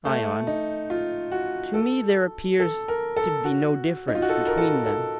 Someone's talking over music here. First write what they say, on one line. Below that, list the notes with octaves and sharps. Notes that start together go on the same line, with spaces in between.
ION: To me there appears to be no difference between them.
A3
D#4
F4
F#4
A4
A4
A#4
A4
F#4
D#4
F4
F#4
A4
A#4
A4
A4